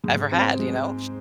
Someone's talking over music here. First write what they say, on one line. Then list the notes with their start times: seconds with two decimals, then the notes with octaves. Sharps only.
ever had, you know?
0.04 G#2
0.32 C4
0.59 G#3